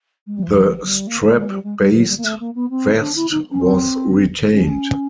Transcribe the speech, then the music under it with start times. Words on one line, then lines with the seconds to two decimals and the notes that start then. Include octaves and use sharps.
The strap based vest was retained.
0.26 G#3
0.36 G3
0.42 E3
0.46 F3
0.82 F#3
0.87 G3
1.07 A#3
1.20 A3
1.34 G#3
1.48 G3
1.64 G#3
1.78 G3
1.94 F#3
2.09 G3
2.17 A#3
2.24 A3
2.39 A#3
2.55 B3
2.70 C4
3.00 D4
3.15 E4
3.30 D#4
3.51 C#4
3.61 C4
4.52 C#4
4.64 D4
4.68 C#4